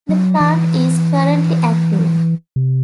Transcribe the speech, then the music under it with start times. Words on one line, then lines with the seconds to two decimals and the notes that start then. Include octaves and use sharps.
The plant is currently active.
0.09 F#3
0.40 E3
2.56 C3